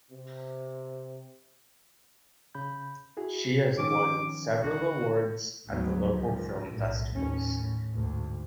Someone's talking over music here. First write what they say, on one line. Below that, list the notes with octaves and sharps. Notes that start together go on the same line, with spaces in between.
She has won several awards at the local film festivals.
C3
C#3 B5 G6
E4 F#4 G#4
D#3 F3 C#4 D6
C#2 D3 F#4
D2 G#2 F3 F#3 B3
C#2 G#2 F3
B1 A2
D#2 A2 C#4
A2
D2 G#2